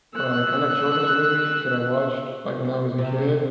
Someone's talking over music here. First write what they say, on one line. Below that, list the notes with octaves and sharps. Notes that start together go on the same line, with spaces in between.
like, kinda children's movies that I watched, like, when I was a kid,
E6 F#6
C3